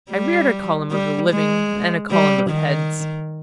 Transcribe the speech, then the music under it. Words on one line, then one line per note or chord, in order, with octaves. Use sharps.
I reared a column of the living and a column of heads.
G3
G3
G#3
G3
D#3